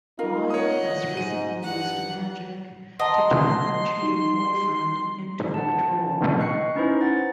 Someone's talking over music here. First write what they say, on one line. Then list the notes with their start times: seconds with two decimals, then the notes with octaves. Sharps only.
Aud has recently used magic to turn her cheating boyfriend into a troll.
0.19 D#4 F4 A#4
0.50 C#5 D#5 F#5 D#6
1.14 G#2 D#4 D#7
1.62 G2 F#5
2.99 D#5 F#5 A5 A#5 C6
4.01 G3 D#4 F#4
5.54 F#5 A5
6.38 D#5 G5 C#6 F#6 C7 C#7
6.75 C#4 D#4 E4 B4 C5
7.01 F#5 A6